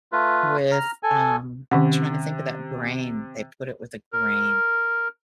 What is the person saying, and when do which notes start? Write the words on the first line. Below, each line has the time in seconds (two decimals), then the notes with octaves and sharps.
with, um tryna think of that grain, they put it with a grain.
0.12 A3 F4 B4
0.72 A#5 F6
1.03 A4 G#5
1.71 C3 D#3 C#4 F#5
4.13 A#4